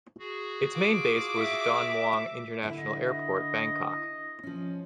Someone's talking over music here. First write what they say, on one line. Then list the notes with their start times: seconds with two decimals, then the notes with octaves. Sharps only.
Its main base was Don Mueang International Airport, Bangkok.
0.19 F#4 G#4
0.74 F4 D6
1.38 E5
2.63 D3 E4
2.78 D#5
4.43 F3 C#4